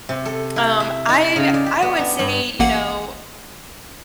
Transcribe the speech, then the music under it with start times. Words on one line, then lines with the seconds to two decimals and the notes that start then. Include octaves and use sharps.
um, I w I would say, you know,
0.09 C3
0.25 A4
0.56 E4
0.80 E5
1.09 D#4
1.36 C#3
1.54 D5
1.66 G4
1.82 B3
1.99 D4
2.19 G2
2.59 A1 A#3 F#5